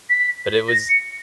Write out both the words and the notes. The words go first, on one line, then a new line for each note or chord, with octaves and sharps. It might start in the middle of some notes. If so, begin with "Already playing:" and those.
but it was
B6
A#6
C#7